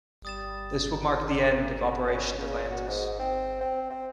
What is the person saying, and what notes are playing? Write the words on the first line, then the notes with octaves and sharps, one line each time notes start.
This would mark the end of Operation Atlantis.
G3 D#6 A6 E7
D3
C#4
C#3
F#4
G#2
C4
C4
C4